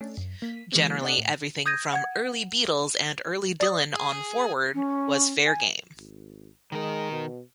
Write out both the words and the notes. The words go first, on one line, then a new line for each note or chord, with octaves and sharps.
Generally everything from early Beatles and early Dylan on forward was fair game.
A3 C#4 D4
F#2
A#3 B6
E3 F#3 G#3 A#3 C4
C4 D4 A4 D5 D#5 F#5
A2
D#6 G6 G#6 A#6 D#7
F#5 G#6
D5 D#6
G#4
C#4
G#5
G#1
D#3 G#3 A#4
B2